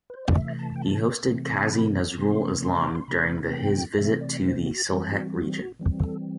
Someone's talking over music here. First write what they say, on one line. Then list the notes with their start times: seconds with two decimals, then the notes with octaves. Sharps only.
He hosted Kazi Nazrul Islam during the his visit to the Sylhet region.
0.10 B4
0.14 C5
0.25 D5
0.37 C3 E3 A3 E5
0.59 A5
0.76 G5
0.82 A5
1.27 C3 E3 A3 C4
1.50 D6
1.67 A5
1.72 B5
2.17 C3 E3 A3 C4 C6
2.63 C6
2.83 D6
2.95 C6
3.08 C3 E3 A3 C4 B5
3.53 G5
3.98 C3 E3 A3 C4 E5
4.21 D5
4.43 C5
4.66 F#4
4.89 E3 G3 C4 F#4
5.12 F#4
5.34 F#4
5.56 F#4
5.79 E3 G3 C4
6.02 A4